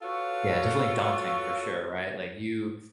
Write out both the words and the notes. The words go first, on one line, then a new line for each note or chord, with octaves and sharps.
Yeah, definitely daunting for sure, right? Like you
F4 F#4 A4 B4 C#5